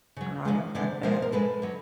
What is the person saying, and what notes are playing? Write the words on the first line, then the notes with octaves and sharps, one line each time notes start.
Alright, I've got that.
C#3 F#3
C3 F3 G#3
C3 E3 G#3 C5 D5
D3 F3 G#3 A#4 C5
A#4
B2 G#3 A4 B4
D3 F#3